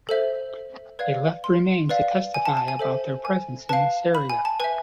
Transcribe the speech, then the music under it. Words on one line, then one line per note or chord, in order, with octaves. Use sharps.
They left remains that testify about their presence in this area.
A4 C5 E5
B4 D5 F5 G#6
C6
B4 D5 F5
G#5
A5
A5
G#5
A4 C5 E5
G#5
B4 F5 A5
B5
G#5
A5
B4 E5 G#5